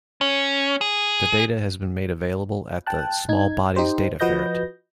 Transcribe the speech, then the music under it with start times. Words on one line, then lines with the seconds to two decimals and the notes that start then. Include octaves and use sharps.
The data has been made available at the "Small Bodies Data Ferret".
0.21 C#4
0.81 G#4
2.87 G5 A5 F#6
3.29 D#4 G#6
3.76 D#4 G4 C5
4.20 F3 F#4 B4 D#5 G6 A#6